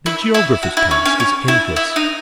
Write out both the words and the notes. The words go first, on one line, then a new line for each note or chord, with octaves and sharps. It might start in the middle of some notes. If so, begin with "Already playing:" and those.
The Geographer's task is endless.
E4
E4
F#4
E4
C#4
C#4
C#4
E4
E4
D#4